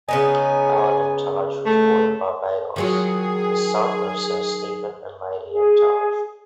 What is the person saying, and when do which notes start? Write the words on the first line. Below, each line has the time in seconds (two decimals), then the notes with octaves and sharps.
Alan Emtage was born in Barbados, the son of Sir Stephen and Lady Emtage.
0.09 C#3 B3 D#4 G#5
1.66 A3
2.76 D#3 F#3 F4 G#4
5.51 G#4